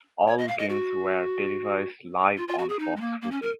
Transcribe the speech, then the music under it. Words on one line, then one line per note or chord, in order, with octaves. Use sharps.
All games were televised live on Fox Footy.
C#5
D#5
F5
D#5
F#4
F4
F4
F#4
G#4
D#4
G#3
A#3
A#3
C#4
A#4